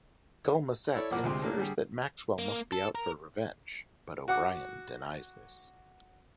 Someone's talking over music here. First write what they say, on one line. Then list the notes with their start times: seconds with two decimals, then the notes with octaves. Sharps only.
Gul Macet infers that Maxwell must be out for revenge, but O'Brien denies this.
0.95 E4 A4 C#5 D5
1.11 A#1 F2 A#2 A#3 F#5 D6
1.24 D2 C3 G#3 C6
1.42 A2 A#3 D4
1.58 D3 G3 G#4
2.39 A#3
2.72 A4
2.95 A#4
4.28 F#4 F#5 D6